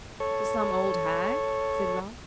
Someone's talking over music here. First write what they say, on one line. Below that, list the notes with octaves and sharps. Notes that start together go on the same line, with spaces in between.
'To some old hag?' said Ralph.
A4 C#5